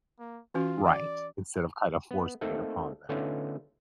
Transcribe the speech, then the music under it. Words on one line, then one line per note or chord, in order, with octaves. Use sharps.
Right. Instead of, kind of, forcing it upon them.
A#3
E3 C#4 F4 F#4
D5
B3
A3 A#3 C4 D#4 A4
D3 A3 B3 C#4 D#4 F4